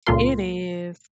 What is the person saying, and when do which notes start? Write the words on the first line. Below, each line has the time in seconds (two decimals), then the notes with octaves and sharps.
It is.
0.06 C#2 A#2 F4 A4 A#4 C6